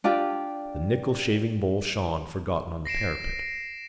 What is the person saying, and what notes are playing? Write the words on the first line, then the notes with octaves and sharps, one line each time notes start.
The nickel shavingbowl shone, forgotten, on the parapet.
D4 F4 G4 G5
A#6 C7 D7 E7